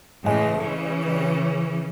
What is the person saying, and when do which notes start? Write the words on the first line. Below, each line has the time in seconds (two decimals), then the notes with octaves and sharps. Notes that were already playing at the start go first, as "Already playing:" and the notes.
Oh, okay.
0.24 A2 C#3 E3
0.58 C#3 E3 C#4